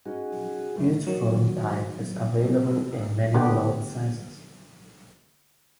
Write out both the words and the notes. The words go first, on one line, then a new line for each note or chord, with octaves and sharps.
Each film type is available in many load sizes.
C#4 D#4 F#4 G#4
F#2 A3
D#3 F#3
D3 B3 G4